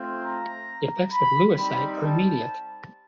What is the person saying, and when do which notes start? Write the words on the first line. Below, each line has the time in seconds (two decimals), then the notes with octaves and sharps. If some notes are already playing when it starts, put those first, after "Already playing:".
The effects of Lewisite are immediate.
Already playing: A3 C4 F4
0.24 A#5
1.12 B5
1.56 G3 C4 D#4 B5
2.00 A5